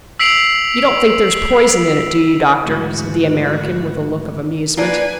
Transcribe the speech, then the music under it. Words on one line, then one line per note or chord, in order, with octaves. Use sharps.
"You don't think there's poison in it, do you, doctor?" said the American, with a look of amusement.
E6 B6 C7 D7 F7 F#7
D2 G#2 E3 F#4
A#3 B3 D4 B4 G#5